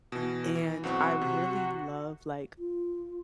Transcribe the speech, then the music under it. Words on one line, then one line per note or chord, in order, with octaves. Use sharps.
and I really love, like,
B2 E3
E3
B1 C4 F#4 C#6
C3
F4